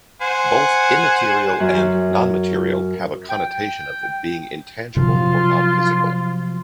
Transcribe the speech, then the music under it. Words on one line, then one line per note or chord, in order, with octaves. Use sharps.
Both "immaterial" and "non-material" have a connotation of being intangible or non-physical.
C5 F#5 G#5
F#2
G5
C3 F3 F#3 F4